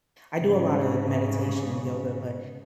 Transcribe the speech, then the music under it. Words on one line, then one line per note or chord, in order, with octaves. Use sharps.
I do a lot of meditation and yoga, but
G#2 C#3